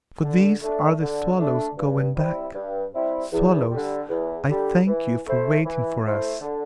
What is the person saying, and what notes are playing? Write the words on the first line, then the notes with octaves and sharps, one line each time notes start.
For these are the swallows going back. Swallows, I thank you for waiting for us.
D3
A3 D4
D3
A3 D4
G2
G3 C4 E4
G2
G3 C4 E4
E2
D3 G3
E2
D3 G3
E3
A3 E4 C5
E3
A3 E4 C5
D3